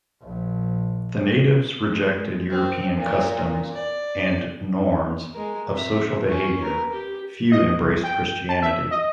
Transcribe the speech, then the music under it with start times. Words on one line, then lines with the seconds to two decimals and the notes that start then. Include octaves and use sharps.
The natives rejected European customs and norms of social behaviour; few embraced Christianity.
0.22 A#1
1.89 G#3
2.49 C4
2.96 A#2
3.72 D5
5.34 G#3 A#4
5.71 C4 E5
6.28 C#4
6.62 A#4 B4
6.92 G4
7.52 D#5
7.80 C2
8.04 G5
8.49 A5
8.62 E5
8.91 D#5